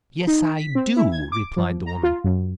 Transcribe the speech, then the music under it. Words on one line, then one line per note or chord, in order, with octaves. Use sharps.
"Yes I do," replied the woman.
D#4
B6
C4
E4
G#6
D6
F3
A#5
F4
F#2